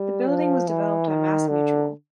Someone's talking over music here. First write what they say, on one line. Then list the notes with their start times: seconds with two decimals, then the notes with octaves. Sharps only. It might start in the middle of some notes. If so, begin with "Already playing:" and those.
The building was developed by Mass Mutual.
Already playing: G3
0.28 F3
0.68 E3
1.08 D#3
1.49 D3